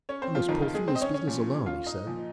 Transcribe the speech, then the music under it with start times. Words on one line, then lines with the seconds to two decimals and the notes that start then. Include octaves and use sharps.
I must pull through this business alone,' he said.
0.09 C#4 C#5
0.22 C4 C5
0.35 F3 F4
0.48 F2 D#3 D#4
0.62 F3 F4
0.74 G#3 G#4
0.88 C4 C5
0.95 D#5
1.01 C#4 C#5
1.14 C#4 C#5
1.27 A#2 F3
1.66 F4 F5
1.86 D#4 D#5
2.07 A#2 F3